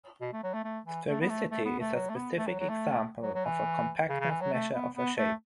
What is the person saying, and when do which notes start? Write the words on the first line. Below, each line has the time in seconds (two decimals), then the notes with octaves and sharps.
Sphericity is a specific example of a compactness measure of a shape.
0.21 B2
0.33 A3
0.44 F#3
0.54 A3
0.64 A3
0.86 E3
1.08 A3
1.21 B3
1.29 A3
1.51 A3
1.65 B3
1.80 A3
1.94 F#3
2.10 A3
2.15 B3
2.37 A3
2.48 F#3
2.59 F#3
2.69 A3
3.23 F#3
3.34 F#3
3.45 E3
4.09 C#3
4.20 C#3
4.30 E3
4.41 F#3
4.53 A3
4.73 B3
4.96 B3
5.17 A3